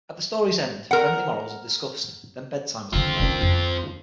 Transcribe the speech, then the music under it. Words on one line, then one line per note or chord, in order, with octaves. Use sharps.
At the story's end, friendly morals are discussed, then bedtime is declared.
A#4 F#5
D3 D#3 C4 F4
D#3 C#4
F2